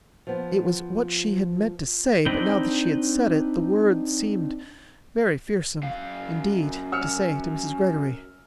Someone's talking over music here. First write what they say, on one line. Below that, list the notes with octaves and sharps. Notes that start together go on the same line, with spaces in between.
It was what she had meant to say, but now that she had said it, the words seemed very fearsome indeed--to say to Mrs. Greggory.
F3 B3
C4 D4 D#4 B4 G5
F#2 F5
E6 F6 C#7